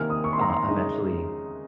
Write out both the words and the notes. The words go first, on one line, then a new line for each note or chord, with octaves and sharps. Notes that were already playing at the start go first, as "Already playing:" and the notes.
uh, eventually,
Already playing: C3 D#3 A#3 G#5 F6
D#6
C#6
C6
A#5
C6
C#3 G#3 D#4